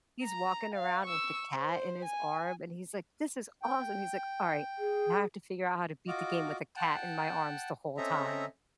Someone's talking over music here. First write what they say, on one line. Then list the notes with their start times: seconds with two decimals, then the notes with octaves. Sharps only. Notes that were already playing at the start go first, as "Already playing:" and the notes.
he's walking around with the cat in his arm, and he's, like, "This is awesome." He's, like, "All right, now I have to figure out how to beat the game with a cat in my arms the whole time."
0.23 A#5
0.75 F5
1.05 C#6 E6
1.53 C5
2.05 G#5
3.62 G5
4.78 G#4
6.08 F4 F#4 D#5 D6
6.76 F#5 G5 A5
7.97 C4 C#4 A4 D#5 E5 A#5